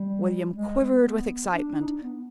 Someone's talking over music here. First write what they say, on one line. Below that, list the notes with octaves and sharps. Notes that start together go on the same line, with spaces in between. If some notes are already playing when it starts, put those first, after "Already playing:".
William quivered with excitement.
Already playing: G3
G#3
B3
D4
D#4
D4
B3